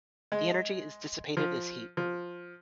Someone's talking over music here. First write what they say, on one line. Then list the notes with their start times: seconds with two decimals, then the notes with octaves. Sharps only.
The energy is dissipated as heat.
0.32 G#3
1.37 F3
1.97 F3